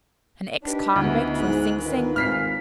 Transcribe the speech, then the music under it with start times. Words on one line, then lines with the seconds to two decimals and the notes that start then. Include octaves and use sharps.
An ex-convict from Sing Sing!
0.63 D4 D#4 G4 B4
0.96 D2 E3 B3
1.39 G#2 F#6
1.79 A#2 D#3 B4
2.16 G#1 F6 B6 C7